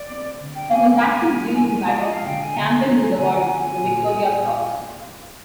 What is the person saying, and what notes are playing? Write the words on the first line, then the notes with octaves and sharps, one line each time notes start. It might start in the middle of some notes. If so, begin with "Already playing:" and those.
For his actions during the battle, Campbell was awarded the Victoria Cross.
Already playing: D5
C4
D3
G5
C4 G#5
G#3 G#5
F3
G#3
D5
F4
D#5
F5
D3 G5
G#5
D3 A#5
G#5
F3 A#5
G#5
A#5
D3 G#5
G#5
F4
A#2
A#2
F4